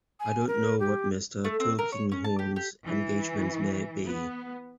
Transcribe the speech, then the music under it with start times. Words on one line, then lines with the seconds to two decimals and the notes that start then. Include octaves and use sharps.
I don't know what Mr. Tulkinghorn's engagements may be.
0.20 G#5
0.47 A#4
0.79 G4
1.44 A3
1.60 C4
1.79 A#4
1.92 C#5
2.12 C#4
2.25 A5
2.39 G4
2.56 G4
2.85 E3
4.05 B3